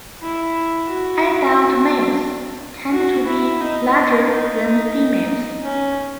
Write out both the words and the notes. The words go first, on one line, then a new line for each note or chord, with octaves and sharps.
Adult males tend to be larger than females.
E4
F#4
F#4
E4
D#4
D#4
C#4